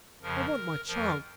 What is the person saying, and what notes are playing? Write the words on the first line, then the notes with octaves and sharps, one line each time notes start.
I want my child!
F2 C#3 F3 A#4
F2 F3 A#4